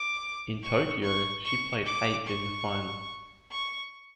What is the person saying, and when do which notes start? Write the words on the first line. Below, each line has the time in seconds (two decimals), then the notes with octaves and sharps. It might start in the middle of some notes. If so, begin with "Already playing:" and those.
In Tokyo, she placed eighth in the final.
Already playing: D6
0.62 C#6
1.02 C#6
1.44 C#6
1.85 D6
2.26 C#6
3.50 C#6